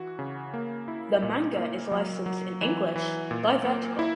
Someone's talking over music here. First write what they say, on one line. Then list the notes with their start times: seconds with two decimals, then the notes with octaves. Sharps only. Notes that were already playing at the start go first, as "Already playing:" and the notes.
The manga is licensed in English by Vertical.
Already playing: E3 F#4
0.19 C#3
0.54 A#3
0.88 E4
1.22 A#2
1.57 A#3
1.92 F#3
2.26 F#3
2.61 E3
2.96 E3
3.31 A#2
3.65 A#3
3.99 E4